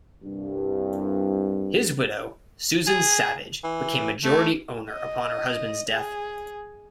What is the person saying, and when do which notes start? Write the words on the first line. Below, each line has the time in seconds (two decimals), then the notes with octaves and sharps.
His widow, Susan Savage, became majority owner upon her husband's death.
0.23 C2 G2
2.87 G#4
3.64 E3
4.24 A3
4.90 D#5
5.90 G#4